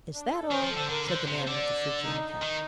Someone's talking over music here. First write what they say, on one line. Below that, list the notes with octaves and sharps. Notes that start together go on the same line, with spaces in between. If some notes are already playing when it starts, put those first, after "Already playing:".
"Is that all?" said the man with the phrygian cap.
D4
A4
D5
D#3 C5
F3
A4
D3 C5
D3 A#4
D3 C5
C3
C5
D3 D5
D#4
D#3